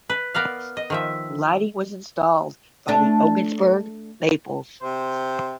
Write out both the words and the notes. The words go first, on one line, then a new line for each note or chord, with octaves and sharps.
Lighting was installed by the Ogdensburg Maples.
B4
B3 A#4 D5 F5
D#5
D#3 F3 E5
A3 D4
C3 C5